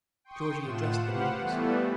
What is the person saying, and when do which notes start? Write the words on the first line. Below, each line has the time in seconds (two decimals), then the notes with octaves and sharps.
Georgie addressed the members.
0.24 G5 C6 C#6 D#6
0.62 A2 A3 F4 F#5 E7
1.02 G4 B4 C5 F5 F#5
1.38 E3 G3 A3 B3